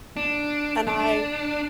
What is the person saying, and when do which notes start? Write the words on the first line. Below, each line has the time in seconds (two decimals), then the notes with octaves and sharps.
And I
0.17 D4
0.88 D4